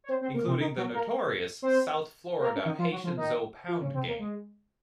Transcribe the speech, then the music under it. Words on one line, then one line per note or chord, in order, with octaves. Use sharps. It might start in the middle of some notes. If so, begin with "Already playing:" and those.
Including the notorious South Florida Haitian Zoe Pound gang.
C#5
C4 C5
C4 C5
A#3 A#4
C3 C4
D#3 D#4
F#3 F#4
A#3 A#4
C4 C5
A#3 A#4
C#4
D#3 D#4
F3 F4
F#3 F#4
F3 F4
D#3 D#4
F3 F4
C#3 C#4
C3 C4
A#3
G#3